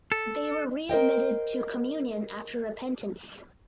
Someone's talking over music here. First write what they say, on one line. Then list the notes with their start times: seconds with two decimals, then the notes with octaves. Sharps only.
They were readmitted to communion after repentance.
0.12 A4
0.89 A#4 C5 D#5 G5